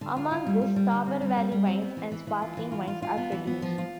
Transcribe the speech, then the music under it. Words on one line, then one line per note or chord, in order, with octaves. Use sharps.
Among this Tauber valley wines and sparkling wines are produced.
D3
F4
F4
G3
G3
G3
D3
C4
G3
G3
G3
C4
B3
E3
E3
E3
F4
E3
F4
F4
F4
B3
E3
B3
F3
F4